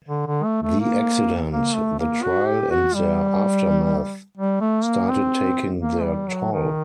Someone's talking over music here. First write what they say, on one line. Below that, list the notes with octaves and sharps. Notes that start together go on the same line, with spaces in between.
The accident, the trial and their aftermath started taking their toll.
D3
D3
A3
A3
A#3
A#3
A3
A#3
F#4
G4
F#4
G3
G3
A3
A#3
C4
A#3
G3
F#3
D#3